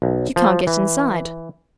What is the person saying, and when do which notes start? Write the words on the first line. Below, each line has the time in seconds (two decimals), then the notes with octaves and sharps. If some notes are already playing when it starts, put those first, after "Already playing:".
"You can't get inside."
0.02 B1
0.36 F3
0.67 E3